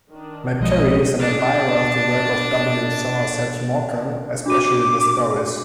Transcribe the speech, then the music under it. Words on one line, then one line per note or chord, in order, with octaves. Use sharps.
McCarry is an admirer of the work of W. Somerset Maugham, especially the stories.
D#3 D4
B1 F3 G#3 B3 C#4 D#5
D4 A5
D4 F#4 D6 D#7